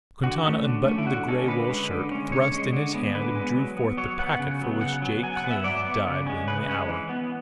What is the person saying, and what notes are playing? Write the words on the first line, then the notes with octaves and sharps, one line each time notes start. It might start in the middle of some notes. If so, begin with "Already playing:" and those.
Quintana unbuttoned the grey wool shirt, thrust in his hand and drew forth the packet for which Jake Kloon had died within the hour.
D3 F#4
A3 C#4
D3
A3 C#4
E4
D3 F#4
G#3 C#4 A4
D3 B4
G#3 C#4
D3
G#3 C#4
D3 C#5
G#3 C#4
D3
G#3 B3
D3 B4
G#3 B3
F#3
B3
F#3 C#5
B3 F#5
C#3
F#3 B3
C#3 F#5
F#3 B3
F#3 G#5
F#5
B3
E5
F#3 D5
B3
C#3
G#3 C#4
C#3 B4
G#3 C#4
E3
B3